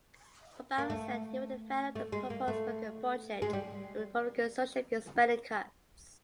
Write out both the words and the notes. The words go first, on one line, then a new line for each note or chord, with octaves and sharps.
Obama said he would veto a proposed Republican budget over Republican social spending cuts.
A#3
A3
A3
G#3
A#3
A3
G#3
G3